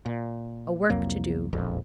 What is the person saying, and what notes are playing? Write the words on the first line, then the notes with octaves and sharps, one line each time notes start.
A work to do.
A#2
C2 F2 F#3 A#3
E1 A#1 F2